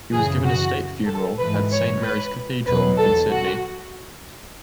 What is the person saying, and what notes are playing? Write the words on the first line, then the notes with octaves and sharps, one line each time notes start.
He was given a state funeral at Saint Mary's Cathedral in Sydney.
F#2 C#3 E3 G#4
F#4
A4
G#2 E3 B4
C#5
B4
E2 B2 F#3 B4
A4
F#4